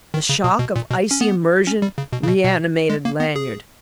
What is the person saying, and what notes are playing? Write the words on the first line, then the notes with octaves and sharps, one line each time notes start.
The shock of icy immersion reanimated Lanyard.
D#3
C#3
B2
B2
A#2
B2
C#4
B3
C#4
G3
C#3
B2
C#3
B2
B2
G#3
A#3
B3
G#4